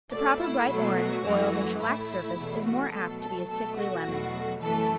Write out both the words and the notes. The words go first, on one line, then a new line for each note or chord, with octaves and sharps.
The proper bright-orange, oiled and shellacked surface is more apt to be a sickly lemon.
B2 A3 D5
E4
B2 F#3 A3
F#4
F#2 E3 A3
A2 A3 E4
E2 B2 A3
F#4
B2 F#3 A3 A4
A4
B2 A3 A4
F#4
E2 B2 F#3 A3
F#2 E3 A3 A4